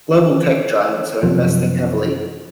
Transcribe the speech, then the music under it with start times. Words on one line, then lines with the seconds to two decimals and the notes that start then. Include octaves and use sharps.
Global tech giants are investing heavily.
1.23 F#2 C3 F3